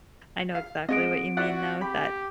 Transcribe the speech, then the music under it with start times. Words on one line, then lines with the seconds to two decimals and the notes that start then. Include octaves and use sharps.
I know exactly what you mean, though, that,
0.55 F5
0.89 G#3 C4 D#5 D7
1.37 E4 F#4 D5 F#5
1.81 G4 B5